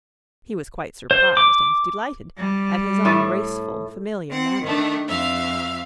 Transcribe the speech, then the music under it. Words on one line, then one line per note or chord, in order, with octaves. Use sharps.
He was quite surprised and delighted at his own graceful familiar manner.
C5
D6
G3
A2
C4 F#5
D#3 A3 D4
F2 E5 F5 F6